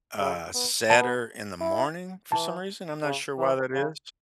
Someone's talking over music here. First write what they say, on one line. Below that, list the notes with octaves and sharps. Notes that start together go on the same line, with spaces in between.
uh, sadder in the morning, for some reason, I'm not sure why that is,
C#3
B3
B3 A5
E4
E3 A5
C#3
E3
C#3